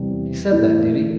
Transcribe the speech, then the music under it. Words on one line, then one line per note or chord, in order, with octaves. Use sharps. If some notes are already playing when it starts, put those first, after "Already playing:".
"He said that, did he?"
Already playing: E2 C3 G3
E3 A3 E4 A4